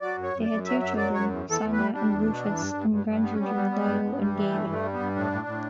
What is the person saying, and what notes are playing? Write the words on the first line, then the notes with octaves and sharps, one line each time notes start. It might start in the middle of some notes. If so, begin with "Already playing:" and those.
They had two children, Sonya and Rufus, and grandchildren Dio and Gabel.
F#3 D5
F#2
C#5
F#2
D5
F#2
F#3 E5
F#2 E5
F#3 D5
F#2 C#5
E2
E2 A4
E2
B4
G3
G3 D4
E2
B2
E2
G2
G2
G2
G2
G3 B3
G3 C#4
B3
G3
G3
G2
G2
G3
E3
G2 A3
G2
A3
G3
B3
G2
A2 D4
A2
A2